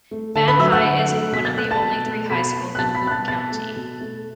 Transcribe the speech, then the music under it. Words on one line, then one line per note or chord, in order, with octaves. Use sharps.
Van High is one of only three high schools in Boone County.
A3
D3 A4 A5
B4 B5
F#3 A3 E5 E6
F#5 F#6
D3
F#3 A3
B2 B6
A6
A3 F#6
A5 A6
B2
A3
B2 B5 B6
B3
F#6
B2 A5 A6
B5 B6
B3 F#6
A5 A6
B2 A5 A6
A3
B2
A3